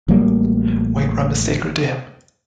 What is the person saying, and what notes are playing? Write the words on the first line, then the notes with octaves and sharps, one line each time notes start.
White rum is sacred to him.
A1 F#3 G3 A#3